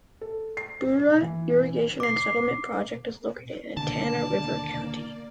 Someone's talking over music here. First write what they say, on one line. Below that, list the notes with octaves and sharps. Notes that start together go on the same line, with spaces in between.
Bura Irrigation and Settlement Project is located in Tana River County.
A4
C7
E3
D6 C7
D#2 B2 D3 A#3 D5 A5